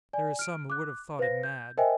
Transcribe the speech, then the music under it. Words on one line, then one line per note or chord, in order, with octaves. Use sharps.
There are some who would have thought him mad.
D5 G#5
F6 D7
D6 F#6
B4 C5 F5 A#6
G6
A#4 C5 D#5 E5 G5 G#5